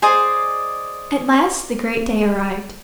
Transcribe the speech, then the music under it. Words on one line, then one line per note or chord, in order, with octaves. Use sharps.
At last the great day arrived.
G#4 C5 D5 D#5